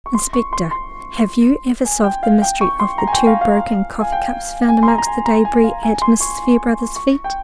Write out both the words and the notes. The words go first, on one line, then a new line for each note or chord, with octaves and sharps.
Inspector, have you ever solved the mystery of the two broken coffee-cups found amongst the debris at Mrs. Fairbrother's feet?
C#6
C6
C#6
C6
C6
G#5
G5
F5
G5
C#6
C6
A#5
G#5
G5
F5
F5
G#5
G5
G#5
C6
A#5
A#5
G#5
A#5
G#5
F5
G#5
C6
C#6
C#6
G5